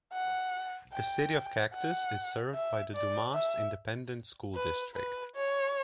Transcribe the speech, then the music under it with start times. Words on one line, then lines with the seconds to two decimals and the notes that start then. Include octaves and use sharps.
The City of Cactus is served by the Dumas Independent School District.
0.13 F#5
0.93 G5
1.74 F#5
2.54 E5
2.94 D5
3.34 E5
4.55 B4
4.95 B4
5.35 C#5